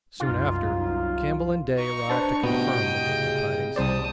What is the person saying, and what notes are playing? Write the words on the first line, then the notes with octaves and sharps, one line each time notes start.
Soon after Campbell and Day arrived to confirm the dismal tidings.
C2 F#2 D#4 F4
D#4 C#6
D4 B4 C5 A5
A2 C3 B3 F#4 D#5 G5
C#3
C2 C5 D5 A5 D#6